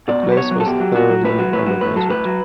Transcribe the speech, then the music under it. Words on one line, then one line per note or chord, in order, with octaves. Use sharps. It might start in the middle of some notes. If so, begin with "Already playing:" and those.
The place was thoroughly renovated.
B2 D5
F#3
B4
B2 C#5
F#3
A4
B2 G4
F#3
B2 F#4
F#3
A2 B4
F#3
A2 B4
F#3
A2 B4
F#3 A4
A2 B4
F#3